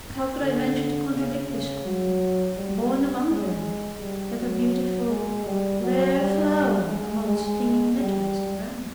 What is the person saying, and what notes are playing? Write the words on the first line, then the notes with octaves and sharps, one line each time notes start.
But how could I venture to contradict this Queen, born among them, like a beautiful, rare flower among stinging nettles and brambles?
D3
C#3
C#3
F#3
G3
G#3
G3
F#3
G#3
G3
F#3
G3
G#3
G#3
G3